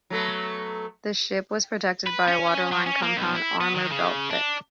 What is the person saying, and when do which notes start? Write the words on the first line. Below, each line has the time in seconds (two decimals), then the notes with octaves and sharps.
The ship was protected by a waterline compound armour belt thick.
0.10 F#3 A3 B3
2.06 B4
2.28 C#4
2.72 F#3
2.87 C#4
3.03 A#3
3.16 B1
3.35 E4
3.61 B3
3.75 D#3
3.91 C#3
4.30 D4